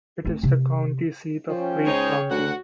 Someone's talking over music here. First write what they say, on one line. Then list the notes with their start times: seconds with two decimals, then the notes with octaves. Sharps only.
It is the county seat of Creek County.
0.25 A3 C4
0.43 C3
1.49 F3 C#4 G5
1.86 C#2 D#4 G#4 C5 C#5 G#5
2.30 D2 F#4 F#5